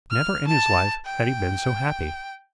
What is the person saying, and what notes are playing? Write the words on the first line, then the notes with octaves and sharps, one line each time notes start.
Never in his life had he been so happy.
F6
A5
G5